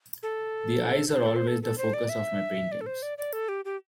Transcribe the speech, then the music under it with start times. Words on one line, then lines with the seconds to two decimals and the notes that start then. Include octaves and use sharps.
The eyes are always the focus of my paintings.
0.23 A4
1.09 A4
1.15 C5
1.26 A4
1.36 C5
1.47 A4
1.63 A4
1.78 C5
1.94 D5
2.09 E5
2.72 D5
2.81 A4
2.86 C5
3.02 D5
3.18 D5
3.33 A4
3.49 G4
3.65 G4